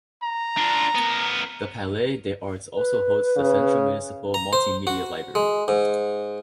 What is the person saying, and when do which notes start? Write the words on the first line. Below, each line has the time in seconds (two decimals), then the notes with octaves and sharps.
The Palais des Arts also hosts the central municipal multimedia library.
0.23 A#5
0.57 D4 F4
0.95 B3 A#4
2.75 B4
3.37 C#3
4.34 A#5
4.53 C5
4.87 F#4
5.35 G#3
5.68 G#2